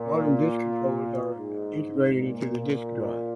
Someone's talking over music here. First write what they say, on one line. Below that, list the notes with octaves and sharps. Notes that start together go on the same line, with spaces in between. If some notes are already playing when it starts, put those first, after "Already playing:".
Modern disk controllers are integrated into the disk drive.
Already playing: A#2
G#2
A#2